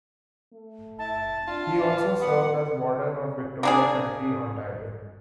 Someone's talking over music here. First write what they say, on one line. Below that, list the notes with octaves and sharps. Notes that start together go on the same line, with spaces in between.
He also served as Warden of Victoria County, Ontario.
A3
E4 A5
D4 F4
B4
B3 F#5
A#3 D4 G#4